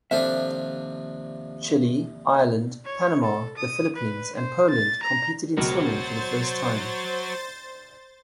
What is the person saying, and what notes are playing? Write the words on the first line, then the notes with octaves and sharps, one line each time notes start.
Chile, Ireland, Panama, the Philippines, and Poland competed in swimming for the first time.
D#2 C3 F3 D4 A4 E5
C#5
A4
D#6
B4
C5
A6
A#5
C#2 B2 F#4 A#4 C5 C#5 A6